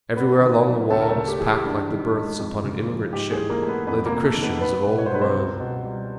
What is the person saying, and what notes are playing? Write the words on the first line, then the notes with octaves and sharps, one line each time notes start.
Everywhere along the walls, packed like the berths upon an emigrant ship, lay the Christians of old Rome.
F#2 B3 B4
D#3
F#3
D2 A3 A4
A#4
A3 A4
C#3
G4
E3 G#4
G4
G2
D#3
G#3
F2
C#3
F3
G#2 G4
G#4
E3
A#3 A#4
A3
B3 B4
F2 B3 B4
A#3 A#4
C3
A3 A4
D#3
B3 B4
C2 B3 B4
B2
C#5
C5
F#3 B4
C4 C5
C#2
B2
G3